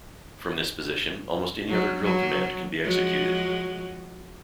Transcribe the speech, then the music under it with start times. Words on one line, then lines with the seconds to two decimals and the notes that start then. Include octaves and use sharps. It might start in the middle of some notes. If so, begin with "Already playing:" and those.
From this position, almost any other drill command can be executed.
1.69 F#3
2.04 F#3
2.84 F3 F#3 G#3